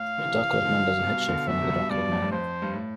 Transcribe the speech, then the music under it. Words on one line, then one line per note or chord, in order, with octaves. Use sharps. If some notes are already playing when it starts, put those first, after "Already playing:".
A dark colored man does a head shave for another dark colored man.
Already playing: A2 F5
D3
C3 E3
D3 F3
C3
G2 B2
B2 D3
B2 D3 E5
C3
G2 B2
G2 B2 D5
F2 A2
G2
F2 C5
G2
A2